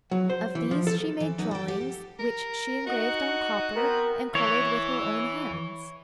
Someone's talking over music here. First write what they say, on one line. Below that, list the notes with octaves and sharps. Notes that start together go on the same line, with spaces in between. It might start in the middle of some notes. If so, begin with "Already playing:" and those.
Of these she made drawings, which she engraved on copper, and coloured with her own hands.
F#3
C5
E3
F3
A4
E3
F#3 D#4 B4
A4 G5
G4 F#5
A4
A#4
D#4 F#4 F#5
B3 C4 A#4
E3 C#5